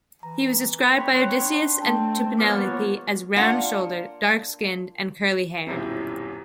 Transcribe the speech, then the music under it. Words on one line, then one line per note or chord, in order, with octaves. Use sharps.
He was described by Odysseus to Penelope as round-shouldered, dark-skinned, and curly-haired.
E3 A#5
C4 C#5 F#5 G5 B5 C6 B6
D4
A3 C4 G5 A5
F3 A#3 B3 B4 C#5 D6 F6 A6
A#3 D4 F4 F#5
D#1 B1 F#2 C4 E4